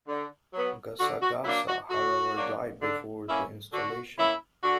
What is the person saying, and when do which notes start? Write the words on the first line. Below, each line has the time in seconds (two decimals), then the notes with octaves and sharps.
Gasagasa, however, died before the installation.
0.08 D3
0.53 F#3 B3
0.99 D3 F#4
1.22 F#4
1.45 F#3 A#3 D4 E4
1.68 F#4
1.90 D3 F#4
2.35 F#3 A#3 D4
2.82 D3
3.27 A#3 C#4 E4
3.73 D3 F#4
4.17 A#3 C#4 E4
4.63 D3 F#4